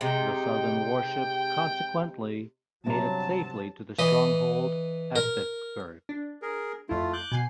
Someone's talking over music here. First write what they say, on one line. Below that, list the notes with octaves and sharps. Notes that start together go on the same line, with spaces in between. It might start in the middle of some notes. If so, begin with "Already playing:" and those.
The Southern warship, consequently, made it safely to the stronghold at Vicksburg.
C3 G#3 D#4 G5
G2 C3 F#3 A5 A#5
E3 D#5
A#4
D4
G#4 A#4
F2 A3 E4 F4
D6 F#6 G6
B2 G#5 C7